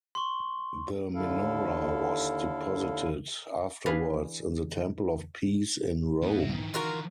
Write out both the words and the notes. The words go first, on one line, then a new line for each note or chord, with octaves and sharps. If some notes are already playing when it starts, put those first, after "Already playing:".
The menorah was deposited afterwards in the Temple of Peace in Rome.
C6 C#6
D#2 D3 E4 A4 F5
E3 D4 G#4 B4 F5
E2 A#3 B3
G#2 F#4 E5
D#3 E3
D#4 F4 F#4 A#4